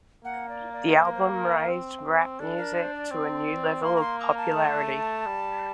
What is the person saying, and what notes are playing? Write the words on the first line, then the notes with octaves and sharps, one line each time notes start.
The album raised rap music to a new level of popularity.
A#3 F#5
D5
D5
C5
A#4
C5
A#4
C4
D4 A4
A#4
C5
D5
C4
A#3 C6
A#5
C6
A#5
A5
A3
G3